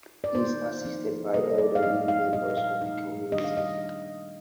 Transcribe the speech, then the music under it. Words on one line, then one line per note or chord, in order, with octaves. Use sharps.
He is assisted by elderly members of the community.
D5
D#3 A#3 D#4 C5
F3 C4 D#4
C3 G3 A#3 D#5
D5
F5
F3 C4 D#4 D#5
F5
A#2 G3 C4 D#4 D#5
F5
F3 A3 D#4
D#3 G3 D4 D#5
F5
D#5